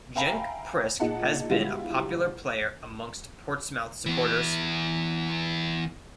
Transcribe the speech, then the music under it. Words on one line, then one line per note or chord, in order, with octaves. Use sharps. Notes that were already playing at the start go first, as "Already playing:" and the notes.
Genk, Priske has been a popular player amongst Portsmouth supporters.
E5 F5 G5 G#5 A#5 B5
A#2 D#4 G#4 F#5 A5
B2 D3 G3 G#3 E4 F4
E3 B3